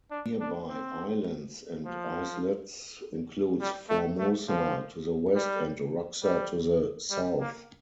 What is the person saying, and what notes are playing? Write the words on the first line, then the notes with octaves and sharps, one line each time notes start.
Nearby islands and islets includes Formosa to the west and Roxa to the south.
D4
D4
C4
F3
G3
A3
A3
F3
G3
G3
G3
A#3